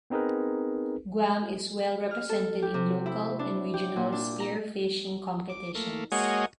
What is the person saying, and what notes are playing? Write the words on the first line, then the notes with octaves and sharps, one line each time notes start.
Guam is well represented in local and regional spearfishing competitions.
B3 C4 D#4 G#4 A#4 B4
F6
A4
G4
C3
E4
D4
G4
A#2
D4
A#5
D6
A3 A#3
G#3 A#3 F#4 C#5 D#5 G#5